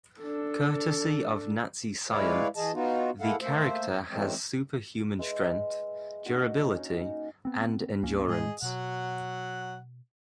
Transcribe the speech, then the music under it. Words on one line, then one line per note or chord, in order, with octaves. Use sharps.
Courtesy of Nazi science, the character has superhuman strength, durability, and endurance.
D4 A4
G#3 E4 B4 C#5 D5 F5
E3 G#4 D#5 A5
B3 D#4 F4 F#4
G#3 A#3 E4 A4 F5 F#5
A3 A#3 C5 E5
E3 F#3 G#3 A3 C4
G#3 B4 E5
A#3 D4 D#4 F#4
C#4 D#4 F#4
B3 C4
C#2 A#3 C#4
A2 G#3 G#4 D#5
B2 F#3 F#5